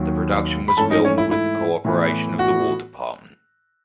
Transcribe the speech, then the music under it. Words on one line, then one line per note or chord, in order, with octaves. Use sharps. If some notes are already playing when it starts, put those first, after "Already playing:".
The production was filmed with the cooperation of the War Department.
Already playing: D#2 D#3 F#3
B5
G#2 E3 A3 C#4 A4 A5
D#4 D#5
C#4 C#5
E4
E4
A2 E3 B3
F#4